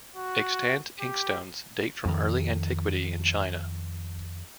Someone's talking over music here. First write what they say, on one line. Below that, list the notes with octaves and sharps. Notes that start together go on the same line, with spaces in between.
Extant inkstones date from early antiquity in China.
F#4
G4
F2 D#3